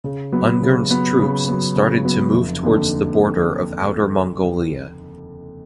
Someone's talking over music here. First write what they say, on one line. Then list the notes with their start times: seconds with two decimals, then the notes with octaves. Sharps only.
Ungern's troops started to move towards the border of Outer Mongolia.
0.04 C#3
0.32 F#3 B3
0.62 C#3
0.90 F#3 B3
1.20 C#3
1.48 F#3 B3
1.76 C#3
2.05 F#3 B3
2.34 F1
2.63 D#2 D3